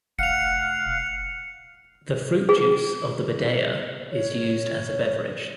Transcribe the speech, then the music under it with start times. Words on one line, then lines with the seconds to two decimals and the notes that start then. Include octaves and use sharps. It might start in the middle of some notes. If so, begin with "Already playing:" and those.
The fruit juice of the badea is used as a beverage.
0.19 F1 F5 F#5 C#7 F7
2.49 G#4
4.11 C#5